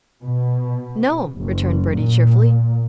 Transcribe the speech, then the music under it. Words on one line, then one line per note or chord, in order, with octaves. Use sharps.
"No'm," returned Bertie cheerfully.
B2
F#1
A#2